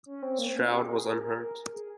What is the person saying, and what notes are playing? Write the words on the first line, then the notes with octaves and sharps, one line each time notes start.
Stroud was unhurt.
C#4
C4
A#3
C4
C#4
F4
G4
G#4
A#4
G#4
A#4
A#4
G#4